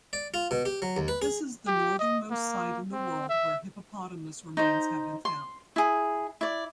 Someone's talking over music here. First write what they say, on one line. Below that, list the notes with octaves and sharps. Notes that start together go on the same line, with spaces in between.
This is the northernmost site in the world where hippopotamus remains have been found.
D5
F4
B2
G4
F#3
D#2
B4
G#4
G4
D#5
A#3
C4
E5
D#4 C5
C6
E4 G#4
E4 D5